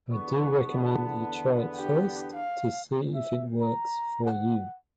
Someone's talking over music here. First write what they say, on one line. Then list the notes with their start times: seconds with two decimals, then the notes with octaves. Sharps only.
I do recommend you try it first to see if it works for you.
0.12 E2 D3 B3 C#6
0.84 A5
1.77 D4 G4
2.34 F5
3.15 E5
3.62 A#5
4.25 F#5